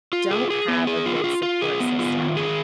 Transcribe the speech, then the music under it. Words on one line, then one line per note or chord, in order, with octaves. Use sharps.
don't have a good support system,
F4
G#4
G#4
B3
G#4
F4
F4
F4
G#4
B3
F4
D#3
G#4